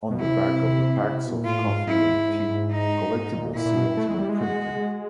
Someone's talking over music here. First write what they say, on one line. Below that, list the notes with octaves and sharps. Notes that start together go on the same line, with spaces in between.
On the back of the packs of coffee and tea, collectible seals were printed.
B2
C3 E4
C#3
C3
B2
A#2
A2 F4
G#2
G#2 E4
D#4
G#2
A#2
A#2 E4
A#2
B2
A3
G#3
F#3
G3
G#3
F#4